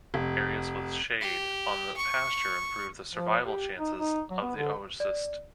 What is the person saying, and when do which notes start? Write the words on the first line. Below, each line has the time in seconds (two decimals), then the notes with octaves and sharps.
Areas with shade on the pasture improve the survival chances of the oocyst.
0.14 F1
1.21 G4
1.97 C#6
3.13 F3
3.44 G4
3.78 D#4
3.99 D#4
4.30 F#3
4.42 B3
4.56 D3
5.00 D5